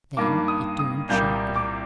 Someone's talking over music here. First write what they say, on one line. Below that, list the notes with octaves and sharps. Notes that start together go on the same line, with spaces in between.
Then he turned sharply.
G2 D#3 A#3 D6
D#6
D#6
C2 A#2 G3 A#3 G6
D6